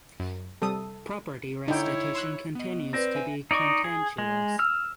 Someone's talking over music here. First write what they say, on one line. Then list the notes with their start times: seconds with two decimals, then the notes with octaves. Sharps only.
Property restitution continues to be contentious.
0.20 F#2
0.62 C3 G3 A4 D#6
1.68 D3 D#4 E4 C#5 G5
2.15 C6 E6 F#6
2.55 B3 D#5
2.93 C4 B4 D5 A#6
3.15 E5 G#5
3.51 D#4 D5 D#5 C#6
3.84 G#4
4.18 G#3
4.59 E6 F6